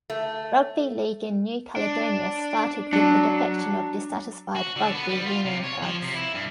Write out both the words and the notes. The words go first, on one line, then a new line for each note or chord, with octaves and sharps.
Rugby League in New Caledonia started with the defection of dissatisfied rugby union clubs.
A3
D4
F#3 D4
F#4
D3
B3
G3
F4
C3
C#5
F3
C3
E4
G2